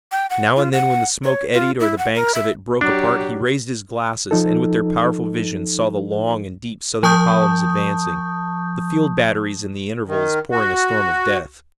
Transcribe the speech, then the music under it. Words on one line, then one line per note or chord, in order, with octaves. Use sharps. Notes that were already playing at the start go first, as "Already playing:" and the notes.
Now and then when the smoke eddied or the banks of it broke apart he raised his glasses and with their powerful vision saw the long and deep Southern columns advancing, the field batteries in the intervals pouring a storm of death.
G5
F#5
F4
F#5
C#5
F4
E4
F#5
A#4
E5
F#3 D4 G4
F3 D#4 A4
F3 A5 C#6 D#6 G6
D#3
F#4